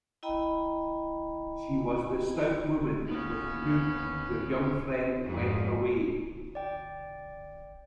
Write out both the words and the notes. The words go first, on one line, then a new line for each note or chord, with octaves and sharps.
She was the stout woman with whom your young friend went away?
E4 D#5 G5 A#5 B5
D#2 B3 C#4
F2 G#2
D5 G5